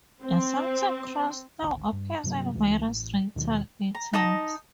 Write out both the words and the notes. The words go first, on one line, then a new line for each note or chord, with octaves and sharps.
The Celtic cross now appears in various retail items.
C4
D1 G#1
G2
G2 C3 F#3 A#3
C#2 E3 A3
A1
D#2 B2 D#3 F#3
A#5
D#4 D#5 A5 D#6